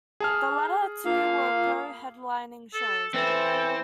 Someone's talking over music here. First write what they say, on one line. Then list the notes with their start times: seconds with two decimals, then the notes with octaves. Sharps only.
The latter two were co-headlining shows.
0.20 G#4 A5 F6
1.05 A#3 F4 F5
2.74 A4
3.14 E3 C4 A4